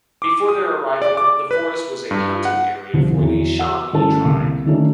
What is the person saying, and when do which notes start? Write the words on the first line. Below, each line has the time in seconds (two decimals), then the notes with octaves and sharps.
Before their arrival, the forest was a hunting area for the Shawnee tribe.
0.22 D6
0.49 D#6
1.02 D5
1.17 D6
1.51 B4
2.11 G2
2.45 F#5
2.93 C2 F3
3.17 E2 E3 F#3
3.59 F#5 E6
3.93 G2 E3 A3 C#4 A4 A5
4.22 C2 A#3
4.65 D#3 E3 F#3 A3 C#4 D4